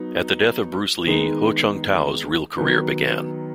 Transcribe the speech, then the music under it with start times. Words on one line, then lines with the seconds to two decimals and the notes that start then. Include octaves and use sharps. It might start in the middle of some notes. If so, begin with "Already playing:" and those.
At the death of Bruce Lee, Ho Chung-tao's real career began.
Already playing: F#3 B3 D#4
1.07 D#3 G#3 B3 D#4 G#4
2.57 D#3 F#3 B3 D#4